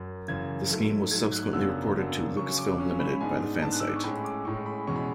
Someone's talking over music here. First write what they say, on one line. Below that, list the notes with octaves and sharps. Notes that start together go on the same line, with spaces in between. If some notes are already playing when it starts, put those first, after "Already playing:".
The scheme was subsequently reported to Lucasfilm Limited by the fan site.
Already playing: F#2
F#2 C#3 E3 G#6
G#2 F#3 A3
G#2 F#3 A3 G#6
F#6
F#2 C#3 F#3 B3 D4 E6
F#2 C#3 F#3 B3 D4
C#3 F#3 C#4 C#6
D6
C#3 F#3 C#4 C#6
B5
G#2 G#3 B3 D4 G#5
G#2 G#3 B3 D4 A5
F#6
E6
D6
C#6
A2 G#3 C#4 B5
D6
A2 G#3 C#4 C#6
B5
E2 B2 G#3 C#4 C#6
B5